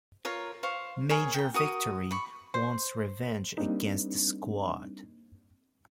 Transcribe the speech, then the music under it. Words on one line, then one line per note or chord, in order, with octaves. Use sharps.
Major Victory wants revenge against the Squad.
F4 A#4 C#5 A#5
C5 F5 C#6
G#4 A#4 C#5
G5 A#5
F#4 A#4 D#6
B5 C#6
C5
G3 A#3 C4 D4 D#4